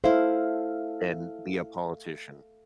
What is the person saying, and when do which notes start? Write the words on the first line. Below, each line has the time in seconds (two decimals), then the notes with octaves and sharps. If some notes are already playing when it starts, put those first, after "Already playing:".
than be a politician.
0.04 E4 A4 C5 E5 F5